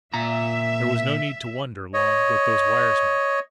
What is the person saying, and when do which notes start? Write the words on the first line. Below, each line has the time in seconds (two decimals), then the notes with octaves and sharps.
There was no need to wonder long what those wires meant.
0.14 A#2 E5 A#5
1.94 C#5 D#5